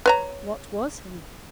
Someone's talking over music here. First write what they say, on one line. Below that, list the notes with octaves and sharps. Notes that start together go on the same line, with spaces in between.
What was he?
B4 C#5 A#5